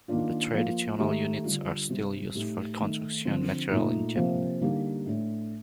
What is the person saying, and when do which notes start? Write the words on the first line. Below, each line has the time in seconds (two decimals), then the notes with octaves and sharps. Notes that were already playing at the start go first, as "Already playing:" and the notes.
The traditional units are still used for construction materials in Japan.
0.08 D#3 A#3 D4 F4
0.53 F3 A#3 F4
0.99 D#3 A3 D#4 G4
1.43 D3 G3 D4 F4
1.90 C3 G3 C4
2.35 A2 A3 D#4 G4
2.80 D#3 A3 D#4
3.25 D3 F3 C4
3.71 A#2 A3 D#4
4.15 C3 F3 A#3
4.61 D3 G3 A#3 D#4 G4
5.06 A2 A3 D4